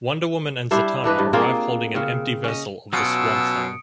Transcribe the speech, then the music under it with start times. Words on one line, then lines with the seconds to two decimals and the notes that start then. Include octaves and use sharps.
Wonder Woman and Zatanna arrive holding an empty vessel of the Swamp Thing.
0.71 G3 D4 E4 C5
1.04 E3 D4 B4 D#5
1.18 G2
1.33 A#3 C4 F4 G#4
1.95 C#3 C4
2.44 C#4 D#5
2.93 B2 F#3 C#4 F4 D#6 E6 C#7 D7